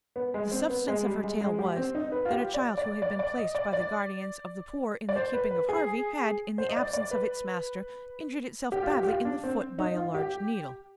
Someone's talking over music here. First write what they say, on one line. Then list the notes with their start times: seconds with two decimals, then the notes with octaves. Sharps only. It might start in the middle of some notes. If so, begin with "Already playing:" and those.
The substance of her tale was, that a child who had been placed by the guardians of the poor in the keeping of Harvey, had, in the absence of its master, injured itself badly in the foot by a large needle.
0.16 B3
0.34 G#3
0.51 C4
0.70 B3
0.88 G#3
1.05 G3
1.24 G#3
1.41 G#3
1.59 G4
1.77 C4
1.95 D#4
2.12 B4
2.25 F4
2.31 G4
2.54 D5
2.77 D5
3.02 D5
3.19 D5
3.37 D#5
3.55 D5
3.73 D5
5.09 D5
5.16 C5
5.33 B4
5.51 B4
5.69 G#4
6.58 C5
6.69 D#5
6.76 D5
6.93 D5
7.11 B4
8.72 G4
8.82 F4
8.90 G4
9.03 G4
9.07 F4
9.25 D4
9.43 C4
9.78 D#4
9.97 F4
10.14 G4